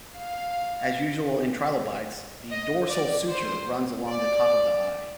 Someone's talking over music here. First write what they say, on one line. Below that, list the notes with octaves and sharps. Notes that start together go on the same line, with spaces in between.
As usual in trilobites, the dorsal suture runs along the top of the eye.
F5
D#5
D5
C5
D5